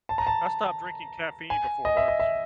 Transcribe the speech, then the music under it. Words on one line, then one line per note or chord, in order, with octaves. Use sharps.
I've stop drinking caffeine before lunch.
A5
A#5
A5
G#5
D#5
E5
D#5
E5